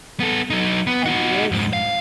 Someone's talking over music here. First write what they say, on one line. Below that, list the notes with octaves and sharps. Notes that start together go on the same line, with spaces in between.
and he is.
B3 A4
F#3 D#4
B3
D#4 F#4
F2 G#2
F5